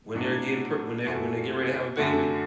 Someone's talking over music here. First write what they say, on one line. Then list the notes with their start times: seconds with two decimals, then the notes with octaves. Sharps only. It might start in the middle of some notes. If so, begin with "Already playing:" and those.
when they're getting pre when they're when they're getting ready to have a baby.
0.15 A2 F#3 D4 F#4
1.06 F#2 E3 A3 F#4
1.97 F#2 D3 A3 D4 F#4